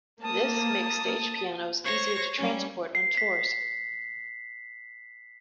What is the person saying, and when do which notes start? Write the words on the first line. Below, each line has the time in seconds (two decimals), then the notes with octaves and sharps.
This makes stage pianos easier to transport on tours.
0.22 A#3 A5 D#6
1.84 C5 C#5 C#6 A#6
2.36 G3 C#4
2.95 C7
3.17 B6